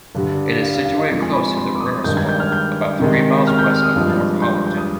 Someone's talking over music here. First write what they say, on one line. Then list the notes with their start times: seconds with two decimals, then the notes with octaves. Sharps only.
It is situated close to the River Swale, about three miles west of Northallerton.
0.15 G2 D3 G3
0.61 F5
0.74 F5
0.85 F5
0.98 D#5
1.09 C3 F3 G#3 F5
1.22 G#5
1.33 B5
1.46 B5
1.57 C6
1.75 D6
1.81 D#6
2.04 G2 D#3 G#3 G6
2.17 G#6
2.29 G6
2.40 F6
2.52 G6
3.00 C3 D#3 G#3
3.47 F6
3.59 G6
3.71 F6
3.83 D#6
3.96 G2 F3 G#3
4.42 G6
4.67 G6
4.78 D#6